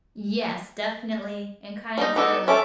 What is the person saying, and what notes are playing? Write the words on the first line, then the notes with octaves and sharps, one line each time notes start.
Yes, definitely, and kinda to
G3 D#4 A5
B3 D#4 A4 F#5 D6 E6
C#4 A4 C5 E5 D6